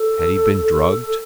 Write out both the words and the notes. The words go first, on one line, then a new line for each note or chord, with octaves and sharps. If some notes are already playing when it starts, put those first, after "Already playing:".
Had he been drugged?
Already playing: A4
A4